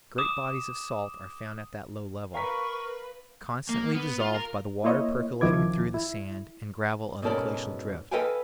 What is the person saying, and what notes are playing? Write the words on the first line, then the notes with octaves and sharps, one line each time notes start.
Great bodies of salt are found at that low level, constantly dissolved by the water percolating through the sand and gravel of the glacial drift.
D6 D#6 E7
A#4 B4 F5 A#5 C#6 B6
A#3
B3
F4
A#4
A#3 E4 C5 C#5 D#5
C#2 D#3 F3 E4 D6 G#6
E4
G#2 B2 C#4 A4 A#4 D5
A4 B4 D#5 F5 G5 G#5